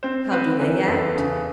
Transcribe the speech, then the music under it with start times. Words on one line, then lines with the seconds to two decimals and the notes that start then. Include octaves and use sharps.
How do they act?
0.03 C4 C5
0.31 C4 B4
0.60 E3 A#4
0.87 E2 A4
1.16 C#3